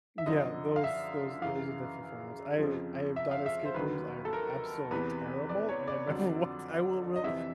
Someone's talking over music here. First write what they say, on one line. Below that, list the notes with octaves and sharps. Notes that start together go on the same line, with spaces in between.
Yeah, those those those are definitely fun ones. I I have done escape rooms, I am absolutely terrible, and I never want I will will
E5
F#2 D3 F3 D#5
F5
E5
F#2 C#3 E3 F5
F2 C#3 F3
E5
F5
E5
C5
D#2 D#3 F#3 B4
A4
A#4
E2 C3 E3 B4
D5
C#5
D5
F2 D3 F#3
D#5
F2 C3 E3 E5